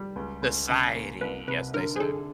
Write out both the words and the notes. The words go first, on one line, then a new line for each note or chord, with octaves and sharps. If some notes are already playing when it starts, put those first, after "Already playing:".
"Society", as they say.
Already playing: G3
C#2
C#2
C#3
A#3
C2 B4
C3 B4
D3 A#4
G#4
D3 A4